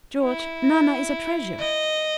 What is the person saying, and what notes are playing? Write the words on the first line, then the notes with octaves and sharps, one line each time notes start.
"George, Nana is a treasure."
E4
D#5